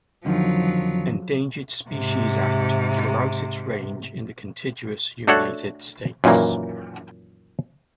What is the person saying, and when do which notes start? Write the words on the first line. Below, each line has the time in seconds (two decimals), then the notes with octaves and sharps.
Endangered Species Act throughout its range in the contiguous United States.
0.25 F2 D3 D#3 F3 F#3
1.90 G#2 C3
5.27 A3 D4 F#4 A4 C#5 F#5
6.24 F#2 A#2 D#3 E3 A#3